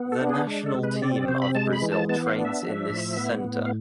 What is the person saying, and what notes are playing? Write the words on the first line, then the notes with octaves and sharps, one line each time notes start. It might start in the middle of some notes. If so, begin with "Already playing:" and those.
The national team of Brazil trains in this center.
Already playing: B3
A4
D4
G#4
G#3
A4
C3
B4
C4 D5
D5
C3 C5
B5
G#3 A5
B5
E3
A5
B3 A5
F5
D4
E5
F3
A2
B3
A2
F5